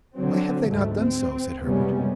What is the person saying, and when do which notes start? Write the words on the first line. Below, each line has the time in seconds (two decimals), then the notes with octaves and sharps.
"Why have they not done so?" said Herbert.
0.16 D3 F#3 C4
0.68 D2 G#2 A3
0.98 C4
1.64 F#1 C3 G3 G#3 B3 C#4